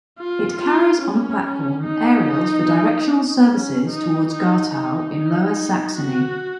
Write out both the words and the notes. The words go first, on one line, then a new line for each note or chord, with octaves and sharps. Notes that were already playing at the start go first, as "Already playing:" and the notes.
It carries on a platform aerials for directional services toward Gartow in Lower Saxony.
F4
F4
C#4
D#4
C#4
D#4
D#4
D#4
D#4
F#4